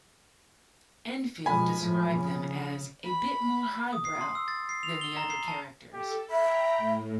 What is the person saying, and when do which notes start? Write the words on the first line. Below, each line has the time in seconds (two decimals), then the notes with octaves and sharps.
Enfield described them as "a bit more highbrow" than the other characters.
1.46 B2 F3 G#3 G#5 B5
1.78 A2 F3
2.13 C#3
3.05 B5
3.93 D#6
4.05 C7
4.21 C6
4.35 E6
4.48 A6
4.69 C7
4.83 F7
5.01 G7
5.17 A#5
5.30 C7
5.48 A5
5.93 G4 A4
6.30 E5 G5 A#5 B5
6.77 A2